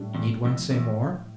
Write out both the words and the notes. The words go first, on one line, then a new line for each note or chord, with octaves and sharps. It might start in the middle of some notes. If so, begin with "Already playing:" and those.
Need one say more?
Already playing: A2 G3 D4
E2
F2
F2
E2